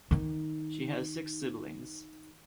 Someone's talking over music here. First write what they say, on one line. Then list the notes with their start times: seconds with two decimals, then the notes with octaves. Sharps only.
She has six siblings.
0.11 D#3 D#4